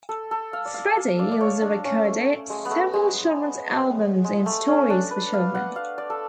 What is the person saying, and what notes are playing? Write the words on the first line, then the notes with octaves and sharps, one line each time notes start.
Freddie also recorded several children's albums and stories for children.
A4
A4
F5
D5
F5
F5
D5
D5
C#5
D4
C#4
A3
G#3
B3
A3
G#3
G#3
A3
C#4
D4
B4
F5
F#5
F5
D5
A4